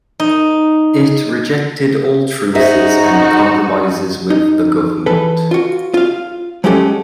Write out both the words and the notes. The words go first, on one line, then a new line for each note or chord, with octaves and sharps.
It rejected all truces and compromises with the government.
D#4
D#4 F#4 G#4 C5 E5 A#5
D#4
E3 A4 B4
F4 F#4
F4 F5
F#3 G#3 A3 C#4 G4 A4